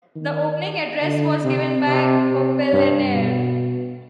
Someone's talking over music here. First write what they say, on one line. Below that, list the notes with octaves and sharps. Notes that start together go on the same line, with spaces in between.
The opening address was given by Apollinaire.
D#3
D3
C3
C3
C3
G2
B2